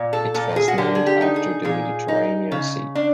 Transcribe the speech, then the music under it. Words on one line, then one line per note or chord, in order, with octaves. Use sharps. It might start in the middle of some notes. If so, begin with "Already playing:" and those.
It was named after the Mediterranean Sea.
Already playing: A#2
A4
A#2 A4
G#4
F#4
D3 G4
G#4
G4
D#4
G#4
A#2 G#4
D#4
C#3
D4